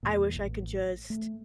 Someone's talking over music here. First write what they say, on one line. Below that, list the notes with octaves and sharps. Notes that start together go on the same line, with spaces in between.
I wish I could just,
E2 A#2
A1
A3